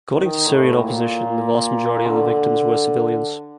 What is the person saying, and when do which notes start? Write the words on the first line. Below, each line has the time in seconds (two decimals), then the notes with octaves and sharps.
According to Syrian opposition, the vast majority of the victims were civilians.
0.17 D#3
0.47 A2
0.80 A#2
2.07 D3